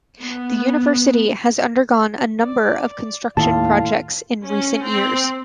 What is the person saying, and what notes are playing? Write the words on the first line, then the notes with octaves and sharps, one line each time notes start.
The university has undergone a number of construction projects in recent years.
B3
D5
D#2 A2 F4 A5
C#4
C4